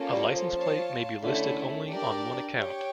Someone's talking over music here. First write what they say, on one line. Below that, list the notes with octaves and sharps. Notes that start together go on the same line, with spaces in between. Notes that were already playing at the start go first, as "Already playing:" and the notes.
A license plate may be listed only on one account.
Already playing: A#3 C#4 F4 A4
G3
F3
F4 C#5 F5 A5
D3 A3 C#4 E4
D4 G4 A#4 D5
G4 C#5 G5